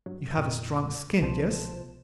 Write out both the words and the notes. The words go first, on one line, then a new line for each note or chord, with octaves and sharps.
You have a strong skin--yes?
G2 F#3
F2 A#2
C2 B2 F3 C5 A5 E7